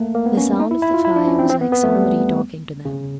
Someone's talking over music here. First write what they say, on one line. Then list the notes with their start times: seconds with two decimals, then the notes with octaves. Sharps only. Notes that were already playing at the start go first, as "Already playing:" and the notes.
The sound of the fire was like somebody talking to them.
Already playing: A3 A#3
0.15 A#3
0.26 B3
0.37 C#4
0.60 D#4
0.71 E4
0.82 E4
0.94 F4
1.05 E4
1.16 D4
1.27 C#4
1.39 C4
1.50 C4
1.61 B3
1.72 B3
1.83 A3
1.95 G3
2.85 C#3